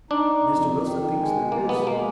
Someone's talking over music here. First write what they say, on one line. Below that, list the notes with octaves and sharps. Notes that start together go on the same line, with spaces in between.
Mr. Wilson thinks there is.
D4 D#4
F2
D#3
G#3
B2 A#3
B3
G#3 A#3